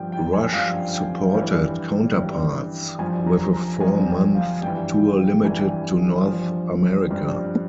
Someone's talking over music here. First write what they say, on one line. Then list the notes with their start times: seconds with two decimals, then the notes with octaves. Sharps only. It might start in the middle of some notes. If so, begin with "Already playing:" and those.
Rush supported "Counterparts" with a four-month tour limited to North America.
Already playing: G2 F3 G5
0.12 G5
0.33 G#5
0.52 G2 F3 F5
0.93 G5
1.34 G2 E3 G5
2.16 G2 E3
2.99 G2 F3 G#5
3.27 A#5
3.53 A#5
3.80 G2 F3 G#5
4.07 G5
4.35 F5
4.62 G2 E3 G5
5.45 G2 E3 G#5
6.26 G2 F3
7.09 G2 F3